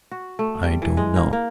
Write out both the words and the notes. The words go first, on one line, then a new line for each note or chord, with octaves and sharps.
I don't know....
F#4
A3
G3
E3
G#3
A#3
A#3